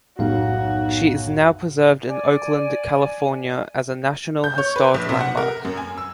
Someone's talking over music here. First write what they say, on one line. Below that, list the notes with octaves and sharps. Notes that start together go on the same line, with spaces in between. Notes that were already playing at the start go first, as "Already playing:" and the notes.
She is now preserved in Oakland, California, as a National Historic Landmark.
B1 F#2 A2 F#4 F5
D5 G#5
G6
C#5
B4
A#1
C3
F#5
A#4
F#2
G#5
E6